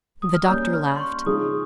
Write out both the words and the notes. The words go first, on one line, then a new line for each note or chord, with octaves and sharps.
The doctor laughed.
D#6
F6
G3 A#3 C#4 G6
F6
C6
C#6
C#3 F3 G#3 D#4 G#4 D#6